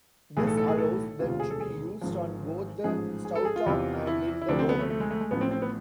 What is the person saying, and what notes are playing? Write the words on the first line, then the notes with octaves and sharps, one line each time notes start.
This allows them to be used on both the stovetop and in the oven.
B1 A2 E3 G#4
A4
A4
G#4
A4
E1 D2 C3 F4
F4
G#4
A4
G#4
G#1 G#2 F3
A1 G#2 F3 G#4
G#4
A4
G#4
F4
E2 C3 E3
E4
E4
D2 C3 F3 D4
C4
B3
A3
A3
G#3
A3
G#3
A1 A2 F3 B3
C4
C4
B3